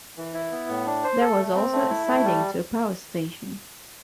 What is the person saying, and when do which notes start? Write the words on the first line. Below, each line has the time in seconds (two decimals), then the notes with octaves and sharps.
There was also a siding to a power station.
0.17 E3
0.34 E4
0.52 B3
0.69 A2
0.87 D4
1.04 C5
1.21 A4
1.38 A3
1.55 C4
1.72 A3
1.90 E4
2.07 A3
2.24 G3